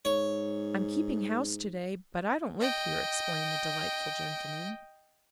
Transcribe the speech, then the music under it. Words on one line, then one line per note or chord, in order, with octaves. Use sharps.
"I'm keeping house to-day, but I don't live here," explained the delightful gentleman.
G#2 C#5
D#5 G5